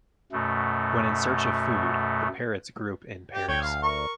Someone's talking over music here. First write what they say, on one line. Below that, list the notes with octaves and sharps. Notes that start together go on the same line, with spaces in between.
When in search of food, the parrots group in pairs.
F#2 B2 A3
G4
D2 C#5 G5
F5
A#4 C#6